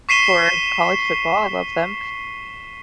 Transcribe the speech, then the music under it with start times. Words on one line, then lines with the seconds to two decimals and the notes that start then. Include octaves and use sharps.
for college football; I love them.
0.09 C#6 B6 C7 D#7 E7 G7